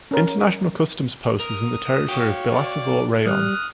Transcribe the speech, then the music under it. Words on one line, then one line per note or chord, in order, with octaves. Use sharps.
International customs post is in the territory of Bilasuvar Rayon.
C#4 A#4
A#4 D#6
F#4 C#5 F5 G5
D5
G3 D#6 F6 F#6